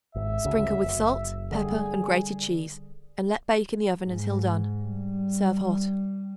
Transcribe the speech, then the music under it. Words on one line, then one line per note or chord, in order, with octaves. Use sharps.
Sprinkle with salt, pepper and grated cheese and let bake in the oven until done. Serve hot.
G#1 E5
D2 C#3
F#1
D3 G3 G#4
G#2
G3